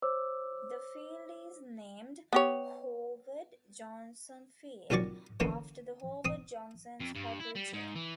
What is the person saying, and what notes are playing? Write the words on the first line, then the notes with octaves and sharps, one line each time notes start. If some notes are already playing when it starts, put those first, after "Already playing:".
The field is named "Howard Johnson Field", after the Howard Johnson's hotel chain.
C5 C#5 D6 E6
B3 G4 C#5
C2 A#2 D#3 F#3 D5 C#6
D3 E3 A#3 C#4
C4 D#6
F2
G2
E4
G3
G#2
E3